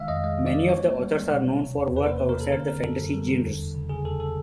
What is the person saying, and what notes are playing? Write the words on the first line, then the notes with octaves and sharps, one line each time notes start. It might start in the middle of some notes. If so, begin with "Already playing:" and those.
Many of the authors are known for work outside the fantasy genres.
Already playing: D#3 G#3 E5 F5
F2 D#5
G#3 D#5
D#3
D5
G#3
C#4 C#5
A#3
G3
C#4
B2
C#4
C3
E2
E2
B4
A#3 C5
C3 B4
A#4
A#3 A4
D3 A#4
C4 A#4
F#2 A4
F#2
G3
D3
E2
E2
C#3
C#3 G#4
E2 A4
A4